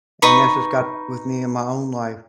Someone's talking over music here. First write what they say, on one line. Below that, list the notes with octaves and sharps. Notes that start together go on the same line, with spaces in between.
and that's just got with me in my own life.
D#4 B4 B5 C#6